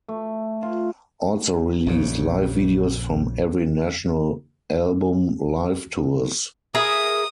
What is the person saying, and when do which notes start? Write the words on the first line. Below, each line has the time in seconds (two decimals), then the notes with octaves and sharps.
Also released live videos from every national album live tours.
0.09 A3
0.63 F4
1.86 A#1 F2 C#3
6.75 G#4 A#4 E5 D#6